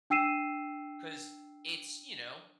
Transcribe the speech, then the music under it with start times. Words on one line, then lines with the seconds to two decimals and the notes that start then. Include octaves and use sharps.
'cause it's, you know,
0.10 D4 G5 E6 C7 D#7 E7